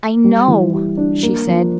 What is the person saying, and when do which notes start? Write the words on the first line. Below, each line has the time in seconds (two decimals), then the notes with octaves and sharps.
"I know," she said.
0.24 G3
0.48 E3
0.74 G4
0.97 D4
1.23 A#3
1.48 F3